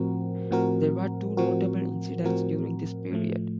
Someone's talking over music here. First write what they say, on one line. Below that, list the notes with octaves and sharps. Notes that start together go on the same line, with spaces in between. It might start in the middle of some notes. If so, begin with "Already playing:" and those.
There were two notable incidents during this period.
Already playing: A2 F3 C4 F#4 A#4
A2 F3 C4 F#4 A#4
A2 F3 C4 F#4 A#4
A2 F3 C4 F#4 A#4
A2 F3 A3